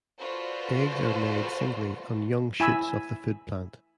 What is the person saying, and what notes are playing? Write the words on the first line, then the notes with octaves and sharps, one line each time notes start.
Eggs are laid singly on young shoots of the food plant.
F4 F#4 A4 B4 C5 D5
E4 G#5 B5 E6